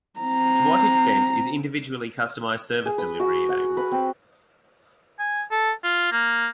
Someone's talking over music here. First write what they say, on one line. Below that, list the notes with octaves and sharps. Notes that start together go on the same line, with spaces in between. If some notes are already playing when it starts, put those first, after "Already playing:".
To what extent is individually customized service delivery enabled?
C4 A#5
G#4
B4
F#4
F#5
B4
C4
G#5
A4
F4
A#3